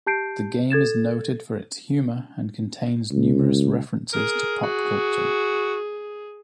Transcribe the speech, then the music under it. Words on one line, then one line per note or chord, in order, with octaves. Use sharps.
The game is noted for its humour, and contains numerous references to pop culture.
G4 A5 G6 C7 D7
A4 G#6 A6 E7
C#2
G#4 A#4
F#4